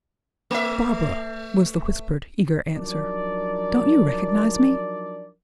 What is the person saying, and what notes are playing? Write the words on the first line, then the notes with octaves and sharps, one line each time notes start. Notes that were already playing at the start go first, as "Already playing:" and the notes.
"Barbara," was the whispered, eager answer, "don't you recognize me?"
A3 E5
F3 F#3 D4 D#4 A#4 D5